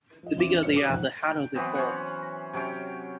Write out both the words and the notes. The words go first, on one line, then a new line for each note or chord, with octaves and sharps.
The bigger they are the harder they fall.
F3 D#5
E2 C4 F4 C5 E5 D6
G#2 D4 B4 C#5 F6 C#7
G4 C#5 D5 D6 D#6 F6
E1 F2 G#2 F3 F#5 F#6
G5
E3 F#3 B3 C4
C#4 C5 F#5
C3 F#3 C#4 G5